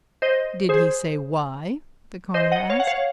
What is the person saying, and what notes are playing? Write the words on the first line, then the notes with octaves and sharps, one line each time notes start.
"Did he say why?" the coroner asked.
C5 D#5
G#4 C5
C5 D#5
D#5 F#5
C#5 F5
F#5
C#5 F5